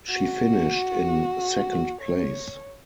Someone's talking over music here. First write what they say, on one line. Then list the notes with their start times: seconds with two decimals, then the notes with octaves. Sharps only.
She finished in second place.
0.11 F#4
2.02 C#5